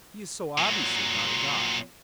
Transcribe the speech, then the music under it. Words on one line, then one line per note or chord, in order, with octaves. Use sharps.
He is so obviously not a god.
A#2 F#3